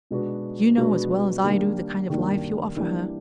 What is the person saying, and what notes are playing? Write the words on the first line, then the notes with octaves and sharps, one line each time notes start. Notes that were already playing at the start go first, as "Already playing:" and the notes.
You know as well as I do the kind of life you offer her.
B2 G#3 B3 D4 F#4
B2 G#3 B3 D4 F#4
D#3 G3 A#3 D4
D#3 G3 A#3 D4
E3 G3 A#3 D4 G4